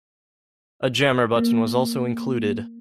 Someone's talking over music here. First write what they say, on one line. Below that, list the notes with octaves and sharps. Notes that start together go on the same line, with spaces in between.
A Jammer button was also included.
A#3